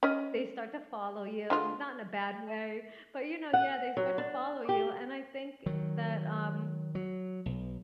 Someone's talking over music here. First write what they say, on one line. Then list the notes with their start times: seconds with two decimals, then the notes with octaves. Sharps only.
they start to follow you, not in a bad way, but, you know, yeah, they start to follow you, and I think that, um,
0.03 C#4 D#5
1.50 D3 G#3 F4
3.53 F#5
3.97 F#3
4.18 D4
4.69 G4
5.66 D#3 F#3
6.95 F#3
7.46 B1